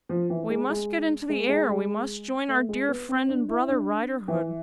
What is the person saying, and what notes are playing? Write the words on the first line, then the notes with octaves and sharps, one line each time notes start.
We must get into the air; we must join our dear friend and brother, Riderhood.
F3
E3
G#3
G#3
G#3
G#3
G#3
A3
G#3
B3
C4
D4
E4
D4
E3